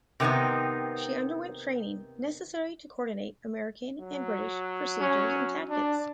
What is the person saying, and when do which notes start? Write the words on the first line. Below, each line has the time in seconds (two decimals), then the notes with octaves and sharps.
She underwent training necessary to coordinate American and British procedures and tactics.
0.20 C3 D#3 B3 C4 D#4
4.00 F#3
5.00 C#4
5.69 D4